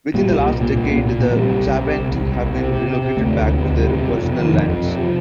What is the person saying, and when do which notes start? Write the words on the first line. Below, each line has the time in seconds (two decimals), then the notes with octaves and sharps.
Within the last decade, the Xavante have been relocated back to their original lands.
0.14 A#2 G3
0.29 C2
0.44 A#2
0.60 A#2
0.75 C2
0.90 A#2
1.06 A#2
1.20 A#2
1.30 F3
1.35 C3 G3
1.51 C2
1.65 C2
1.81 C3
1.96 C2
2.11 C2
2.26 C2
2.41 C2
2.57 C3
2.72 C3
2.86 C3
3.02 C3
3.17 D2 A3
3.32 D2
3.47 C3
3.63 D2
3.78 C3 G3
3.93 C3
4.08 F2 F3
4.23 C3
4.38 F2 D#3
4.54 F2
4.69 F2
4.84 C3
4.99 F3